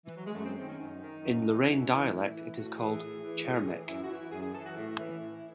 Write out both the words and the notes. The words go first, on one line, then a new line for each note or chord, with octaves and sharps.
In Lorraine dialect it is called "Chermec".
E3
F#3
G#3
F#2 A3
C4
D#3 C4
C#4
F#2 D#4
D#3
F#2
E3
F#2 E4
E3
A2
E3
A2 F#4
E3 G#4
A2
E3
A2
E3
F#2 E4
F#4
E3 E4
F#2 G#4
G#4
E3 A4
F#4
A2 E4
E3
A2